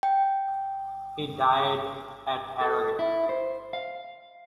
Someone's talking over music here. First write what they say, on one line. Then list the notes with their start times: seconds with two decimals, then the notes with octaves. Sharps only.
He died at Harrogate.
0.03 G5
2.61 A4
2.99 E4
3.29 C5
3.73 F5